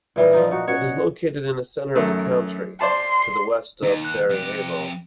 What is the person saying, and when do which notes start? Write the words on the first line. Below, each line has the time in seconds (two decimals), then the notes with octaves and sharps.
It is located in the center of the country, to the west of Sarajevo.
0.16 A#2 E3 G3 D#5
0.33 F3 D#4
0.51 D#4 F#4
0.67 C#4 F#4 C#5
1.95 F#2 D#3 A3
2.81 C5 D5 A5 C6
3.83 D#2 D#4
4.05 F#6
4.29 F2 G4